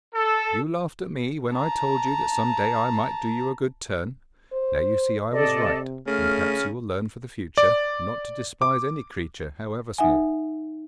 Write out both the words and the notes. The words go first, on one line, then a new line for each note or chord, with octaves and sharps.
'You laughed at me when I told you that some day I might do you a good turn. Now you see I was right, and perhaps you will learn for the future not to despise any creature, however small.'
A4
A5 A#5
C5
C3 A4 D5 D#5
C#3 A3 F6
D5
D6
D#4 E5 F#5 G#5